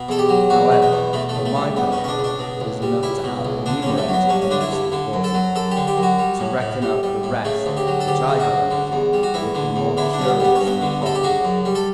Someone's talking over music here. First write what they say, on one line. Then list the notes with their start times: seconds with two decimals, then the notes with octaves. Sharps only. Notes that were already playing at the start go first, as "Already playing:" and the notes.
However, for my purpose, it is enough to have enumerated the most important; to reckon up the rest which I have omitted would be more curious than profitable.
Already playing: B2
0.09 E2 A4
0.19 G4
0.29 F#3
0.50 E2 F#4
0.72 B2
0.82 B3
0.93 E2
1.13 B2 A3
1.29 A3
1.35 C#2
1.45 A3
1.55 G3
1.76 C#2 B3
1.92 C#4
1.98 B2
2.04 C#4
2.08 D4
2.19 C#2
2.24 D4
2.39 B2
2.60 C#2
2.82 G3
3.03 C#2 E4
3.24 B2
3.45 C#2
3.66 D3 D4
3.82 G2 C#4
3.97 A3
4.08 F#3 B3
4.29 G2 C#4
4.42 C#4
4.51 D3 D4
4.61 E4
4.72 G2
4.92 D3
5.13 F#2
5.24 A4
5.34 F#3
5.55 F#2 A4
5.71 G4
5.76 D3
5.87 G4
5.97 F#2
6.03 F#4
6.19 G3
6.40 A2
6.60 A2
6.82 G3
7.03 G3
7.23 A2
7.45 C#3 A3
7.66 D2
7.77 G4
7.87 F#3
8.00 A4
8.08 D2 G4
8.29 C#3
8.40 F#4
8.50 D2
8.71 D3
8.92 E2
9.13 G3
9.23 F#4
9.34 E2 E4
9.55 D3
9.76 E2
9.97 D3 E4
10.13 D4
10.19 G2 C#4
10.28 B3
10.40 G3 B3
10.55 C#4
10.61 G2
10.67 B3
10.81 D3
11.02 G2 A4
11.15 G4
11.23 C#3 F#4
11.45 F#2
11.65 G3
11.75 A4